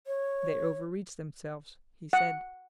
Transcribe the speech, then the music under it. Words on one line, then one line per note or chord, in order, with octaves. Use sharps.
"They overreached themselves," he said.
C#5
F#5